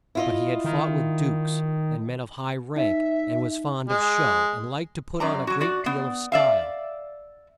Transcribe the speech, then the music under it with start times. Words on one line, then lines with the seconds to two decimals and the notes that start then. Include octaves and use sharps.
But he had fought with dukes, and men of high rank, and was fond of show, and liked to put on a great deal of style.
0.15 E4 F4 D#5
0.64 D#3
2.76 D#4 E5
3.89 G#3
5.20 F#2 D5 A#5
5.47 F#3 F#4
5.61 F#4 D5
5.86 B3
6.32 D5 E5 F5